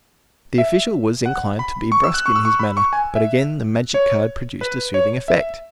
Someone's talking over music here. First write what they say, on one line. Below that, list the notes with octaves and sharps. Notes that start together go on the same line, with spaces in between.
The official was inclined to be brusque in his manner, but again the magic card produced a soothing effect.
E5
F#5
B5
C#6
E6
F#6
C#6
E6
C#6
B5
C#6
G#5
E5
C#5
B4
C#5
E5